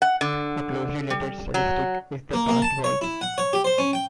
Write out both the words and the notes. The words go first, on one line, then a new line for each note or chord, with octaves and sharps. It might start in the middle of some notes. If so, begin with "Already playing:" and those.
A closely related statistic is the passed ball.
F#5
D3
G3
F#3
A#3
A#3
A5
C#5
E4
F#5
C#5
G4
C5
C#4
G5